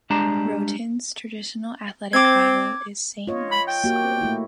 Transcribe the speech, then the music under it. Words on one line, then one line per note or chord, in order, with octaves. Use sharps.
Groton's traditional athletic rival is Saint Mark's School.
G3 G#3 D4 G4 A5 A#5
C4 D6 G#6
F4 C#5 D#5
B5
G5
A#3 F#4 G4
A3 A#3 E4